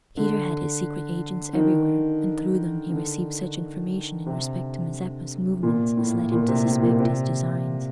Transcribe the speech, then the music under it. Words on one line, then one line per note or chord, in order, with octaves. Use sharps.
Peter had his secret agents every where, and through them he received such information in respect to Mazeppa's movements as led him to suspect his designs.
D3
D#3
D3
C3
A#2
A2
A#2
C3
A2
A#2
C3